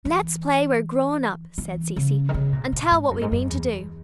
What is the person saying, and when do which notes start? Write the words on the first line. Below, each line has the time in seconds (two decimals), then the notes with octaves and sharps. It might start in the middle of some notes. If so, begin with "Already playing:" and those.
"Let's play we're grown up," said Cecy, "and tell what we mean to do."
0.05 E3
1.58 E3
1.96 C#3
2.29 D#3
2.34 C#3
2.53 A#2
2.72 A#2
2.91 G#2
3.11 F#2
3.21 G#2
3.32 F#2
3.49 E2